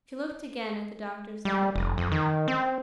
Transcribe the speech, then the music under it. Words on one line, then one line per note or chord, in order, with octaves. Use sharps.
She looked again at the doctor's letter.
G3
F1
F2
D#3
C4